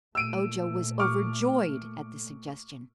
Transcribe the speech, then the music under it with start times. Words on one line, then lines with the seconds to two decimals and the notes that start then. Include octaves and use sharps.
Ojo was overjoyed at this suggestion.
0.15 A#2 A3 E6 D7 D#7
0.99 C#6 D6 F6